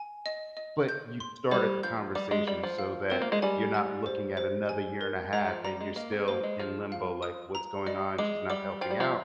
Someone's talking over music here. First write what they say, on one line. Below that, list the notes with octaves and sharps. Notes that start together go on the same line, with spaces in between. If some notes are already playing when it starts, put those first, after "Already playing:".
But you started the conversation so that you're not looking at another year and a half, and you're still in limbo, like, what's going on? She's not helping out.
Already playing: G#5
D#5
D#5
G6
C6
G3 C5
F3 G6
G3 D6
G#3
G3 D5
F3
F5
C4 A#4
A#3
G#3
G3 G#5
G#5
C5
C5
G#5
A#4
G#3 A#5
F3
G3 A#5
G#3
A#3 D#5
C4
A#3 C5
G#3
F3 G#4
F5
D#6
A#5
G3 D#5
G#3 D6
G3 D6
F3 G5
G3
F3